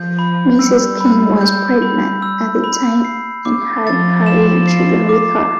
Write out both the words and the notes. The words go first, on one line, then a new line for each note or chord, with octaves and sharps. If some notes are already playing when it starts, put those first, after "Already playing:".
Mrs. King was pregnant at the time and had her young children with her.
Already playing: F3 G6
B5
G3 E6
B5
G6
B5
E6
B5
C7
D6
F3 A6
E7
C7
D6